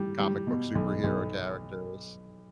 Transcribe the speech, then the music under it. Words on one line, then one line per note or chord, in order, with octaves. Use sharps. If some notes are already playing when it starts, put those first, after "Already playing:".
comic book superhero characters.
Already playing: G3
G3
B2
B1
B1